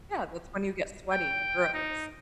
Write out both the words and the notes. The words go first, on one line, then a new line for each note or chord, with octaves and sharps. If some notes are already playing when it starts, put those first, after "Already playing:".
Yeah, that's when you get sweaty and gross.
G5
D#4